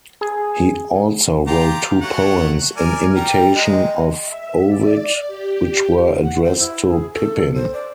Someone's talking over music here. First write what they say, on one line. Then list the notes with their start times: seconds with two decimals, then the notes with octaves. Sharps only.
He also wrote two poems in imitation of Ovid, which were addressed to Pippin.
0.21 G#4
1.47 F4 G4 A#5
2.02 F#3 A3 F#5
2.77 A#4 D5 G#5
3.15 G3 G5 A#5
3.55 G#3 D#5
4.24 E5
4.68 D5
5.27 G4
6.22 F#5
6.43 C5
6.59 E4
6.89 G#4
7.13 A4
7.55 C5
7.73 D5